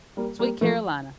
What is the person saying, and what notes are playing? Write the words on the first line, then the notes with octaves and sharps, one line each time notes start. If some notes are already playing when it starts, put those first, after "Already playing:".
Sweet Carolina,
G3 A#3
G3 A#3
F3 A3